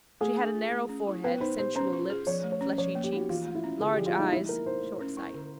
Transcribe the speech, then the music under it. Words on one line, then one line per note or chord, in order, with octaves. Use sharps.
She had a narrow forehead, sensual lips, fleshy cheeks, large eyes, short sight.
A3 G#4
D4
F4
A3
C#4
E4
B3 B4
D#4 C5
G4 C5
C#4 C5
F4
G#4
F3 C#5
A3
C#5
C#4
F3 C#5
A#3
G4
D#4 F#4
E3 F4
A3
E4
C#4
D3 G#4
G4
F3
F4
G#3 D#4
F3 E4
A#3 A#4
D#4 C5
A3
C#4
E4
D3